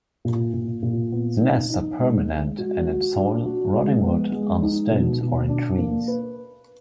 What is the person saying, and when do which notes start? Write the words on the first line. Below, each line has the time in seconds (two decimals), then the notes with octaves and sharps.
The nests are permanent and in soil, rotting wood, under stones, or in trees.
0.25 A#2
0.54 A#2
0.83 A#2
1.12 B3
1.41 D#4
1.70 D#4
2.00 G#3
2.28 G#3
2.58 F#4
2.87 F#4
3.16 D4
3.46 F#4
3.74 G#3
4.04 B3
4.32 G#3
4.62 D#4
4.91 B2
5.20 B2
5.49 D4
5.79 A#3
6.08 B4